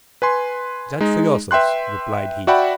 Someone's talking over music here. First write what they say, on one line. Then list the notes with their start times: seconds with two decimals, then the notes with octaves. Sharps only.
"Judge for yourself," replied he.
0.22 B4 G#5 C6
1.00 G#3 D#4
1.51 B4 E5 G5 C6 F#6
2.47 F#4 D5 E5 F#5 G5 B5